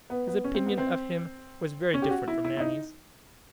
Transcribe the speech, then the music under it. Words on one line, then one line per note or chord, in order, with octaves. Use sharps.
His opinion of him was very different from Nanny's.
B3
B3
C#4
C4
B3
C4
C#4
G4
F#4
E4
E4
E4
D#4